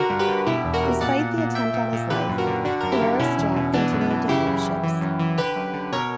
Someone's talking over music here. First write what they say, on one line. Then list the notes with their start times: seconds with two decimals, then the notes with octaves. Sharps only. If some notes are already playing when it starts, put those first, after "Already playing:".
Despite the attempt on his life, Pelorus Jack continued to help ships.
Already playing: D3 F#4 A#4
0.10 G2
0.19 G4 B4
0.28 D3
0.47 B2 E4 G4
0.64 E2
0.74 F#4 A#4
0.83 B2
1.01 A#2 D5 F#5
1.19 A#2
1.38 A#2
1.55 A#2 E5 G5
1.74 A#2
1.93 A#2
2.10 D3 G4 B4
2.29 F#2
2.38 F#4 A#4
2.47 D3
2.65 D3 D4 F#4
2.80 F#2 A#4
2.92 E4 G4
3.02 D3
3.19 B2 C#4 E4
3.38 E2
3.56 B2
3.74 E3 B3 D4
3.92 F#2
4.01 B3
4.10 E3
4.28 C#3 E4 G4
4.47 F#2
4.65 F#2
4.83 E3
5.01 F#2
5.19 E3
5.38 D3 G4 B4
5.56 F#2
5.74 D3
5.92 B2 A#4 C#5